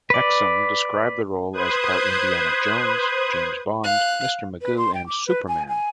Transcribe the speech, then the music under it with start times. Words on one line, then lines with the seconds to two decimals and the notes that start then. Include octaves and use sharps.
Hexum described the role as part Indiana Jones, James Bond, Mr. Magoo, and Superman.
0.10 B4 D5
1.53 B4 C5 D#6 F#6 G#6
3.84 F5 F#6
4.61 B4
4.77 C6
4.94 G5
5.06 D6
5.27 B4
5.48 G#5
5.68 G#5